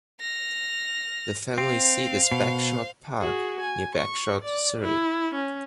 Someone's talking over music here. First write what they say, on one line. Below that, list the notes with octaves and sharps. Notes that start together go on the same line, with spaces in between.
The family seat is Bagshot Park, near Bagshot, Surrey.
F6 A#6
C4 C5 F5
B2
F#4 G#4
G#5
C#6
D5
E4
C#4